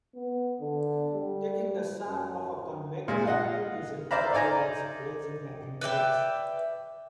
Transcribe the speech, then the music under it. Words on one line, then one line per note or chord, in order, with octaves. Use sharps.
Taking the sharp of a covector field is referred to as "raising an index".
B3
D3
G3
F#2
A#2 G#3
F4 D#5 F#5
C5 D5 E5 F5 A#5 B5
D#4 C5 D5 G#5 A#5
B4 D5 E5 G5